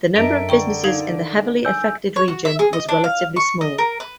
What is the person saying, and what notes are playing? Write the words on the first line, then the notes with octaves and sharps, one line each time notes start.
The number of businesses in the heavily affected region was relatively small.
F#2 D4 A4 A#4 D#5 E5 D7
D3 G5 A#5 C#6
D#4 F5 G#6
G#5 E6 G6
C#5
F#4
E5
G#4
D#5
D4
F5
C#6
D#5
A#4
B4